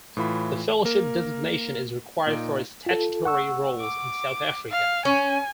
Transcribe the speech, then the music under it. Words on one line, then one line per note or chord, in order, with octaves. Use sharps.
The Fellowship designation is required for statutory roles in South Africa.
A2 E3 F4 B5
A#3 A#4
A#2 D#4 D7
F4 A4
F#5 C#6 E6
D6
F5
C#4 G#5